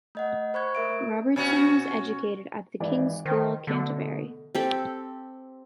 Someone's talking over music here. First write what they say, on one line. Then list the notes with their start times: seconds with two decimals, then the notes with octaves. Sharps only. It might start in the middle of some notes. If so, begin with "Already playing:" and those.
Robertson was educated at The King's School, Canterbury.
0.15 A3 D#5 F#5
0.54 C5 B5 C#6 F#6 G#6
0.75 A3 A#4 E5 D7
0.90 A3
1.36 B2 C#4 F#4
2.80 G#1 E3 D5
3.25 D#3 C5 G5
3.67 B2 D3 A3
4.55 C4 G4 A4